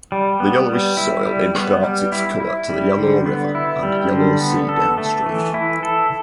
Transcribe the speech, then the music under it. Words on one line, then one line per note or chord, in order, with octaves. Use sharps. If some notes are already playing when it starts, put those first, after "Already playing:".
The yellowish soil imparts its color to the Yellow River and Yellow Sea downstream.
G3
B3
G3
E4
G3
B3
G3
E4
E4
G3
D3
B3
E4
G3
D3
B3
A4
A3
E3
E4
A4